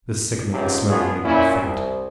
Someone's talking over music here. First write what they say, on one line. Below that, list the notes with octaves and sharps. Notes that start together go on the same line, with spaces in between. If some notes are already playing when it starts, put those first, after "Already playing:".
The sickening smell made him faint.
C#2 G#2 C3
G#2 B2 B3 F4 F#4 G#4
A#2 C#4 E4
C2